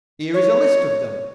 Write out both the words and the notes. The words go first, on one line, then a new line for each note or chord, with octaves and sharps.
"Here is a list of them."
C#5